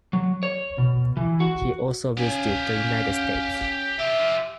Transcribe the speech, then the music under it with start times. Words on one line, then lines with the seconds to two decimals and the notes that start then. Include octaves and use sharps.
He also visited the United States.
0.13 F#3
0.43 C#5
0.78 B2
1.17 E3
1.40 F#4
2.17 C#4 G4 F5 G#5
3.99 F4 G4 E5